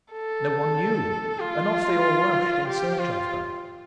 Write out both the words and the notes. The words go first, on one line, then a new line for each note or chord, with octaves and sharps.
No one knew, and off they all rushed in search of her.
A4
F4
G4
F4